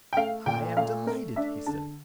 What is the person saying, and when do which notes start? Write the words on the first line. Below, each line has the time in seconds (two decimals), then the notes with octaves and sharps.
'I am delighted,' he said.
0.13 G5
0.17 A3 F5
0.46 A#2 G5
0.77 A3 F5
1.06 A3 A#4
1.36 D4 E5
1.66 D3 A5